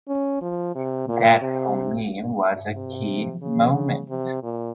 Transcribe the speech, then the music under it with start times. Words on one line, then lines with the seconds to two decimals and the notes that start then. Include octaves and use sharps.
That for me was a key moment.
0.08 C#4
0.42 F3
0.75 C3
1.09 A#2
1.41 C3
2.75 C3
3.42 C#3
4.09 C3
4.43 A#2